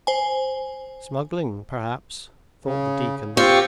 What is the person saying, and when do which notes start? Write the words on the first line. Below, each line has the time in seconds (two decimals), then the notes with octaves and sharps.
"Smuggling, perhaps," thought the deacon.
0.07 C5 G#5
2.65 C#3
3.37 C4 F4 G4 C#6